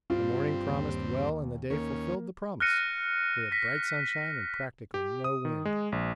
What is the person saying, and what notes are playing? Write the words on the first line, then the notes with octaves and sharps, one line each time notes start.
The morning promised well and the day fulfilled the promise: we had bright sunshine and practically no wind.
G2 C4 F4
D#2
D#2 A#3 C#4
F6 F#6 A#6 C#7 D#7
A#6 B6
G4
D#6
D#3
G#3
A#1